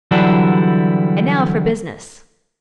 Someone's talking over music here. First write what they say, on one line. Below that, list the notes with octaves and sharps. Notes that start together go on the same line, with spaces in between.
And now for business.
D3 E3 F#3 G3 D4 E4